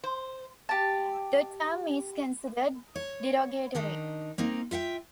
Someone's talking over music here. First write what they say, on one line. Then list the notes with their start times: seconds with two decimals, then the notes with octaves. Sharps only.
The term is considered derogatory.
0.04 C5
0.69 G4 A5
2.95 C#5
3.75 D#3 D4 D#4
4.38 A#3 C4 D#4
4.71 F4 E5 F#5 G5